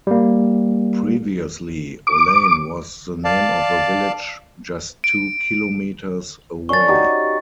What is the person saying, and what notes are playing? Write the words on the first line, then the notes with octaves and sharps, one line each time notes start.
Previously, Olaine was the name of a village just two kilometers away.
G3 A#3
D6
D5 F5 A5
D7
C#4 D4 F5 C#6 A6
D#4 F#4 G4